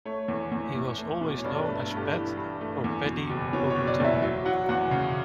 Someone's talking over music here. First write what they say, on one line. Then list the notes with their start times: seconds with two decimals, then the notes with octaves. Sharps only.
He was always known as Pat or Paddy O'Toole.
0.05 A3 C#5
0.28 E2
0.52 E2
0.75 E2
0.98 A3
1.21 B2
1.38 C#5
1.44 G2 D5
1.56 A4
1.62 B4
1.68 A3
1.80 A4
1.91 G2
1.97 G4
2.14 E3
2.37 G2
2.61 A3
2.84 E2
3.06 B2
3.30 F#1
3.53 B2 C#5
3.70 C#5
3.76 F#1
3.87 D5
4.00 E2 E5
4.22 F#3
4.45 F#3 F#5
4.69 E2 F#5
4.91 C#3